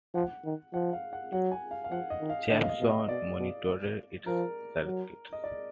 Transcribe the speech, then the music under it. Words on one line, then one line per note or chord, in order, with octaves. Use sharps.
Jeppson monitored its circuits.
F3 F#5
D#3
F3 F#5
F5
F#5
F#3 F#5
G#5
F5
F5
F3 F#5
D#5
D#3
F5
D3 D#5
F5
D#5
B2
D#5
B2 D5
B2
F3 A#4
F#3
D#5
D5